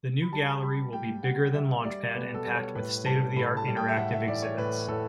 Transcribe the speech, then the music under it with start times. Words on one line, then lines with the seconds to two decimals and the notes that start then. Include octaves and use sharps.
The new gallery will be bigger than Launchpad and packed with state-of-the-art interactive exhibits.
0.22 B5
0.32 G3 A5
0.63 G3 B5
0.93 G3 G5
1.23 G3 F#5
1.54 G3 E5
1.84 G3 D5
2.14 B2 B4
2.34 A4
2.46 G3
2.55 C#5
2.75 A2 B4
3.06 G3 A5
3.36 A2 B5
3.57 A5
3.67 G3
3.77 G5
3.89 E5
3.97 A2 F#5
4.13 E5
4.28 E3 D5
4.42 C#5
4.58 A2 B4
4.89 A2 A4